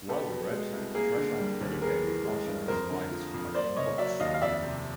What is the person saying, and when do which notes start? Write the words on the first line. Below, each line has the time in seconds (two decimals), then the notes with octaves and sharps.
Well-read, Tresham dedicated much of his life to collecting books.
0.08 B3 G4 A4
0.30 B2
0.51 G#3
0.73 C2
0.95 A#3 G#4 A#4
1.17 D3
1.38 G3
1.61 D#2
1.82 B3 G#4 A#4
2.04 E3
2.25 G#3
2.46 G2
2.68 F2 A#4 C5
2.91 D3
3.11 F3
3.34 F2
3.55 A#3 C5 D5
3.76 C#3 C#5 D#5
3.98 F#3 D5 E5
4.20 D#2 D#5 F5
4.34 F5
4.42 F2 D5 E5
4.63 C3